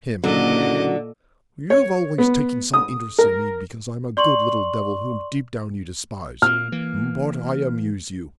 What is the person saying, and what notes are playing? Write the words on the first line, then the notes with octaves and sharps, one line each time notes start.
HIM: You've always taken some interest in me because I'm a good little devil whom deep down you despise--but I amuse you.
F#1 A#2 D3 F#3 D#5 D6
C#5
B3
D#6
A#4
D5 C6 C#6 F#7
A#2 A#3 F6
E3 A#3